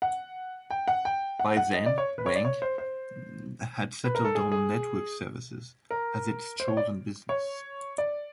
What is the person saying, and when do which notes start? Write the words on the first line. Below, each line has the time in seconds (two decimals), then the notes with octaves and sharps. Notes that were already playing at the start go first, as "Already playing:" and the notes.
By then Wang had settled on "network services" as its chosen business.
0.02 F#5
0.70 G5
0.88 F#5
1.05 G5
1.39 F#5
1.57 F#5
1.74 D#5
1.86 D5
1.98 C#5
2.18 B4
2.26 C#5
2.36 D5
2.45 C#5
2.62 C5
2.78 C5
4.04 B4
4.15 A#4
4.25 A4
4.35 G#4
4.52 G#4
5.91 A#4
6.60 C5
6.68 C#5
6.77 D5
7.29 C#5
7.98 D5